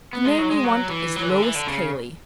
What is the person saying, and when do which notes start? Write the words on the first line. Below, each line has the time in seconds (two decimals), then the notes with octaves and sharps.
'The name you want is--Lois Cayley!'
0.13 B3
0.25 G#3
0.38 F#3
0.51 G#3
0.64 F#3
0.90 E3
1.16 F#3
1.23 E3
1.29 D3
1.42 E3
1.55 D3
1.68 C#3